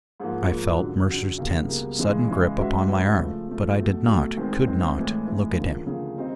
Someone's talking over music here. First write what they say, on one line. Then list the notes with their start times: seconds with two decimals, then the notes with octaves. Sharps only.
I felt Mercer's tense, sudden grip upon my arm, but I did not, could not, look at him.
0.20 G#2 F3 A#3
0.49 G#2 F3 A#3
0.79 F#2 D3 F#3
1.09 F#2 D3 F#3
1.38 C#2 B2 G3 A#3
1.68 C#2 B2 G3 A#3
1.99 C#3 E3 G#3
2.28 C#3 E3 G#3
2.57 G#3 C#4 F#4 B4 E5
2.88 G#3 C#4 F#4 B4 E5
3.17 C#3 F3 A3
3.48 C#3 F3 A3
3.77 B2 F#3 A3
4.07 B2 F#3 A3
4.37 D#3 G#3 C4
4.67 D#3 G#3 C4
4.96 A2 E3 G#3
5.27 A2 E3 G#3
5.56 D2 C#3 F3 A#3
5.86 D2 C#3 F3 A#3
6.17 D#3 G3 C4 D#4